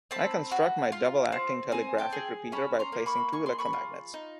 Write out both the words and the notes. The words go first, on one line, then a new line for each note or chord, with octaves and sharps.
I construct my double-acting telegraphic repeater by placing two electromagnets.
C4 A5 B5
F#4
F4
C4
C4 G#5 A#5
G5 A5
G#4
C#4 A5 B5
A#5 C6
A#3
B5 C#6
G#4 C#6
C6
B5 C#6
F4
D#4